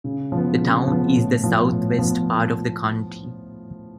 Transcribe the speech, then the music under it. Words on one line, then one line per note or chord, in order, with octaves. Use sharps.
The town is in the southwest part of the county.
C#3
F3
B3
C#3
F3 B3
A2
F3 B3
A2
F3 B3